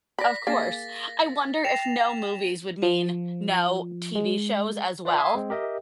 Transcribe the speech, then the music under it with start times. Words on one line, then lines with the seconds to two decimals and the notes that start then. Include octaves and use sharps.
Of course. I wonder if no movies would mean no TV shows as well.
0.19 D5 B5 A#6 B6
0.47 A#3 G#4 F5 A6 A#6
1.65 G5 A#6 C7 E7 F7
2.83 F3
4.15 G#3
5.05 F4 B4 D5 E5 G5 C6
5.17 E5 F5 G#5 C6 D#6 E6
5.35 G#3 C4
5.50 G4 A#4 D#5 E5 G5